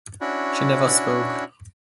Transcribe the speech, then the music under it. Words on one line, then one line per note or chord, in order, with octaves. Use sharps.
She never spoke.
C#4 D4 E4 F#4